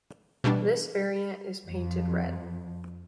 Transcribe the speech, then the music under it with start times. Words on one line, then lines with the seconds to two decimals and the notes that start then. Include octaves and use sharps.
This variant is painted red.
0.44 B2 E3 G3 D4
1.66 F2